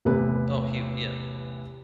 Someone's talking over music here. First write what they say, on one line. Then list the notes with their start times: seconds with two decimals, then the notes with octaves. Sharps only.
Oh, he w yeah.
0.05 A1 E2 C3 B4 B5